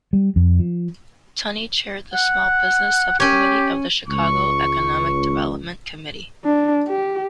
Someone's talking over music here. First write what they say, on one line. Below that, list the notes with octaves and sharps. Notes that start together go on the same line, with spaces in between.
Tunney chaired the small business subcommittee of the Chicago Economic Development Committee.
G3
F2
F3
F#5
C#4 G4 C#5
C#2 C#6
D4
G4